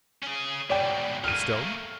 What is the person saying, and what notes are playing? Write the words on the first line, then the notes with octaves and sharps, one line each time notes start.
The stone?
C#4 G#4
G#2 B2 D5 G5
A3 A#3 F6 D#7